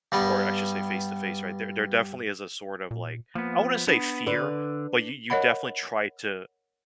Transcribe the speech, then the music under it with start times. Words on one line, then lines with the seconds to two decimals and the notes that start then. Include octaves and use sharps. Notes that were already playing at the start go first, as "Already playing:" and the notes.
or I should say face to face, right, there there definitely is a sort of like I wouldn't say fear, but you you definitely try to
0.12 G2 G3 B3
2.91 A#2
3.35 F3 A#3 B3
3.87 B3 D4
4.27 D3 B4 D5
5.30 A#4 C#5 D#5 F#5 B5